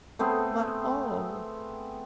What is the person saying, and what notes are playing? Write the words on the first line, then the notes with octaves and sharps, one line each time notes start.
But oh!
A3 B3 C4 G#4